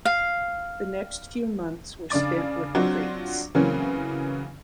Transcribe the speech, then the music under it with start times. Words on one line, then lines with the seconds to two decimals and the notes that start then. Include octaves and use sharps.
The next few months were spent with the Creeks.
0.05 F5
2.10 C#3 D4 D5 D6 A6
2.75 F#3 C4 D4 F4 F#4
3.55 C#3 E3 F#3 A#3 C4 C#4